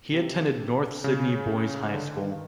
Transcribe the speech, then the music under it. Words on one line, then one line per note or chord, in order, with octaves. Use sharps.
He attended North Sydney Boys High School.
C3
C#3
D3
D#3